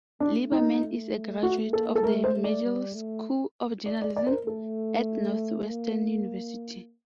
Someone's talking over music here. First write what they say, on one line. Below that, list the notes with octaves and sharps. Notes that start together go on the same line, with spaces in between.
Leiberman is a graduate of the Medill School of Journalism at Northwestern University.
A3 D4
D#4
A3 F#4
A#3 A4
A4
A3 A#4
C5
A3
D5
G3
A3
D5
D5
D5
C5
A#4
A3 A4
A#3